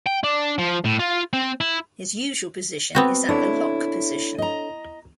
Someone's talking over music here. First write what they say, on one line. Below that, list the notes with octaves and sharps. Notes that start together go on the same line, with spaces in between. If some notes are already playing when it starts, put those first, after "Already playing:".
His usual position is at the Lock position.
G5
D4
F3
A2
F4
C4
E4
B3 C4 F#4
D4 E4 A4 C#5
D#5 A#5